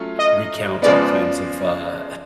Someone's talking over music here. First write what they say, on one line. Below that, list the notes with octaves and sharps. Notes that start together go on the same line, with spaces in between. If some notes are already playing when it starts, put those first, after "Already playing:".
recount all kinds of, uh,
Already playing: F#3 A3 C#4 F4
D#5
C#3 F3 G#3 B3 D5